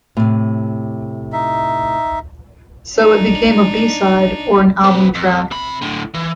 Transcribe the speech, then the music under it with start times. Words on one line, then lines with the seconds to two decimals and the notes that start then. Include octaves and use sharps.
So it became a B-side or an album track.
0.17 A2 C3
1.33 D#4 E5
2.96 D4 D#4
4.85 C4 B4
5.15 F2
5.51 C3 B5
5.82 A2 D3
6.14 E3